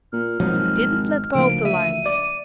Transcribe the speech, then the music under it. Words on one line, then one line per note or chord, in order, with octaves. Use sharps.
But he didn't let go of the lines!
A#2 F6
G#1 B2 F3 F#3 D#4
D2 C#3 F3 A#3 D7
E5 D#7
D5